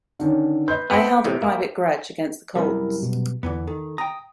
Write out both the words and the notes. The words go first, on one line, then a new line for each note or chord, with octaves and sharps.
I held a private grudge against the Colts.
D3 D#3 C#4
B4 D#5 C6 G6
B3 C4 B6 C#7 D7
E2 A2 C3
A#3 E5
F#2 C3 G3 E4 A#4
B2
E2 D3 E3 B3
D#3 A4
G5 A#5 D#6